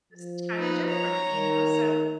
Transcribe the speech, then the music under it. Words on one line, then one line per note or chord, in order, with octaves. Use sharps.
it's kind of different, you know, so
F3
D#4 B4
C#5 A#5
D#3